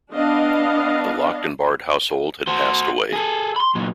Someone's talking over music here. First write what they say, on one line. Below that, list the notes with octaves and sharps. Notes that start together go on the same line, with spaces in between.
The locked and barred household had passed away.
B3 D4 D#5 F5
F#4 C5
G#4 A4
B5 C6
A#2 F#3